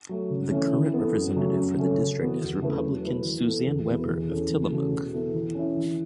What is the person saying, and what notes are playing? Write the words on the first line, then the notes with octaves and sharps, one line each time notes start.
The current representative for the district is Republican Suzanne Weber of Tillamook.
F#3 A3
C#3
E3 A3 C#4
E3
B3 A4
F#2
C#3 F#3 A3
F#2
C#3 A3 C#4 A4
C#3
E3 B3 F#4 B4
E2
C#3 A3 E4 B4
F#3
A3 E4 B4
E3
B3 A4
E2
B2 B3 E4 B4
E2
E3 C#4 A4
E2
C#3 A3 F#4 A4
B2
B3 E4 A4
E3
C#4 E4
E3